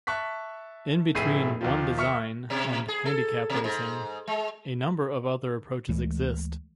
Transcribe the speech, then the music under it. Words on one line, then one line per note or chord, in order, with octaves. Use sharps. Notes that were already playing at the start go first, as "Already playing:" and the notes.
In between One-Design and handicap racing, a number of other approaches exist.
E5 A5 C#6 F#6 B6
F1 A2 G#4 E5 C7 D#7
D#2 D#3 F3
E5 C#6 F6 C#7
B2
G#4
A4
B2
G#2
G#3
D2 E3 G#3 A3